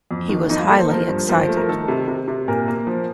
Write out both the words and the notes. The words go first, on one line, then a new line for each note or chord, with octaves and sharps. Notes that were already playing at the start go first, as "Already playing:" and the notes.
He was highly excited.
F2
D#3
F2 D#4
F4
A#3 A4
C5
F3 A#4
G2
F3 A#4
A3
A#4
D#3 A4
C3
C3
C3
A#2 A#4
A#3
F3